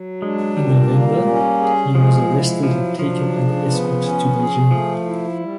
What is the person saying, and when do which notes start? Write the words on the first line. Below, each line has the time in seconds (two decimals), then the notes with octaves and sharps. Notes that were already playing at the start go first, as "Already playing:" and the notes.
In November, he was arrested and taken under escort to Beijing.
Already playing: F#3
0.22 G#3 D4
0.57 A#2 G3
0.91 A#3
1.26 C#4
1.60 G#4
1.95 F3 G#3
2.29 E4
2.63 F3 F#3
2.99 F3 D4
3.33 C#3
3.68 B3
4.02 C#4
4.37 G#4
4.71 F3 A3
5.06 E4
5.41 G3